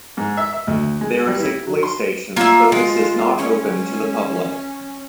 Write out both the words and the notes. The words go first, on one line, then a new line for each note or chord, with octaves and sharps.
There is a police station but this is not open to the public.
G#2
E5
E5
D2
G#3
G3
E4
F#3
C6
A#3 F4 E5
G#3
C#4